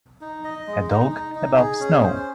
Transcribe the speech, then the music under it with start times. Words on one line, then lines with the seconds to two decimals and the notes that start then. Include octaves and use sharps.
A dog above snow.
0.21 D#4
0.44 D#5
0.67 G#3
0.89 D#4
1.12 D#4
1.35 D#4
1.57 G#4
1.80 C#4
2.03 C5